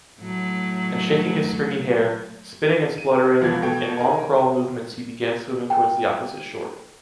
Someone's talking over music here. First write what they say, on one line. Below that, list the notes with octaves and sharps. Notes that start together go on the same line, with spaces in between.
And shaking his stringy hair, spitting and spluttering, in long crawl movements he began swimming towards the opposite shore.
A2 F#3
D#7
E1 E3 F3 B3 F5 G#6
B2 A4 G5
D#4 A#4 G#5
G5